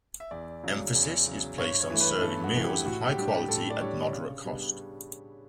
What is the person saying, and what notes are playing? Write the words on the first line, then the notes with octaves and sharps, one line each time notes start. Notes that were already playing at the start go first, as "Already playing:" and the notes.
Emphasis is placed on serving meals of high quality at moderate cost.
E5
E2 D5
C#3 F#3
E2
C#3 F#3
G2 C#5
C#5
E3 A3
B4
G2 A4
F#4
E3 A3
G4
A2 F#4
G4
G3 D4
G4
G4
A2 A4
D5
G3 D4 C#5
C#3
G3 B3 D4